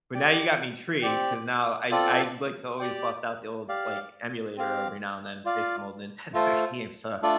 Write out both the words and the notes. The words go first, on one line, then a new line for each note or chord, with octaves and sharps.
but now you got me intrigued 'cause now I I like to always bust out the old, like, emulator every now and then based on old Nintendo games. So,
G4 D5 G5
C4 G4 D5 G5
C4 F4 A4 D5
G4 D5 G5
G4 D5 F5
C4 G4 F5
F4 D5 F5
A3 F4 A4 C5
A3 D4 F4 A4 D5